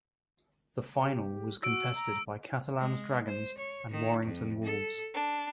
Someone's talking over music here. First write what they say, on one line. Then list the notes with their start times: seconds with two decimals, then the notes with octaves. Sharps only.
The final was contested by Catalans Dragons and Warrington Wolves.
1.00 G4
1.63 F#4 E6 D7
1.95 A#5
2.79 G#3
3.26 C5
3.57 C#5
3.90 D#3
4.26 F2
4.63 A4
5.14 D4